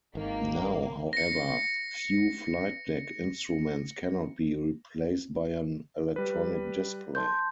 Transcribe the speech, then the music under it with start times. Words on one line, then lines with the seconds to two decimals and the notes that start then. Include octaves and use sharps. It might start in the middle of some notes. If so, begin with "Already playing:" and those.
Now, however, few flight deck instruments cannot be replaced by an electronic display.
0.15 G#1 D#3 A#3
1.13 A#6 C#7
6.16 G3 B4
7.15 A5 C6 G6